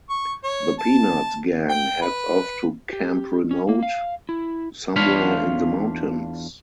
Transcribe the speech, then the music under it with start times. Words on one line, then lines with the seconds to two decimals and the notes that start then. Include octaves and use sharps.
The "Peanuts" gang heads off to Camp Remote somewhere in the mountains.
0.10 C#6
0.44 C#5
0.79 A5
1.70 G5
2.02 B4
2.93 G4
3.51 C#4
3.69 A#3
3.83 F5
4.29 E4
4.96 E2 D4 F4 C#5 F5 B5